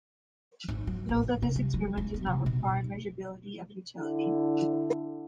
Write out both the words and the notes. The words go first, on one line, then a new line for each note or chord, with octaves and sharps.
Note that this experiment does not require measurability of utility.
G#1
F#3
A1
D3
C3
G3
F#3
G#3
B3
C3
B2
G#2
D3 E4